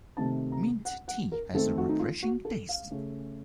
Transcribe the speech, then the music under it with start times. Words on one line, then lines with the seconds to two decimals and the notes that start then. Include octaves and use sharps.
Mint tea has a refreshing taste.
0.17 C3 D#3 A3 C4 A5
0.52 A#5
0.85 F#5
1.08 F#5
1.32 A#4
1.53 D#3 A3 C4 A4
1.78 F#4
1.89 D#4
1.99 F4
2.22 F#4
2.45 A4
2.69 F5
2.90 C#3 A3 C#4